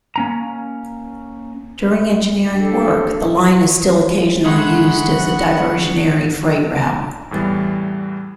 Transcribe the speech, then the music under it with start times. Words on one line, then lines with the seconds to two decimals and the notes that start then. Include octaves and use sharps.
During engineering work, the line is still occasionally used as a diversionary freight route.
0.16 A#3 C#4 A#5
2.53 D4 G4 A4
4.45 D3 E3 G#3 D#4 F#5 B5 C#6
7.31 E2 A2 E3 G3 A6